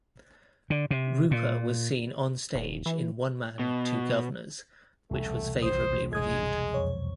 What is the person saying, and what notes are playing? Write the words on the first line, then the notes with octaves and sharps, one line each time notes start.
Rooper was seen on-stage in "One Man, Two Guvnors", which was favourably reviewed.
D3
C3
A#2
D#1
E3
B2
E1 C2 A3
A#1 C5 D#6
G1 G#3 D#6 G#6
F2 C#5